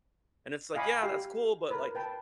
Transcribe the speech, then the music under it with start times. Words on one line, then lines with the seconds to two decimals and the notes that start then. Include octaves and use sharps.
And it's like, yeah, that's cool, but like,
0.74 D#5 F5 F#5 G#5 B5 D6
1.01 G4 F5
1.70 A#4 B4
1.95 B4 G5 A5